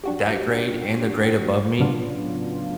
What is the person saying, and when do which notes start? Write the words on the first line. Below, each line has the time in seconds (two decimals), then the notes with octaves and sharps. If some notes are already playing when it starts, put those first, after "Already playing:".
that grade and the grade above me,
0.04 D4 F#4 G4
1.79 A2 C#3 F#3 B3 D4 F4